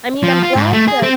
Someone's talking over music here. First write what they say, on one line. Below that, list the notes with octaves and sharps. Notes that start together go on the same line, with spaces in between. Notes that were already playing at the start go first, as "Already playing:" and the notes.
I mean, I'm glad that
F3
F4
G#2
A3
G#4
C4